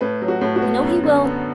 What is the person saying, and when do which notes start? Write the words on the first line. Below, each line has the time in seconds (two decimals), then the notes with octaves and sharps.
I know he will!
0.01 A2 B4
0.22 F#3
0.28 F#4
0.41 A2
0.56 F#4
0.62 B3
0.83 F#2
1.03 D3
1.24 B3